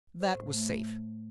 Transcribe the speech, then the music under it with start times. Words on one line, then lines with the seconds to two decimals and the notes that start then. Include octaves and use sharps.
That was safe.
0.20 C5
0.35 A2
0.51 A3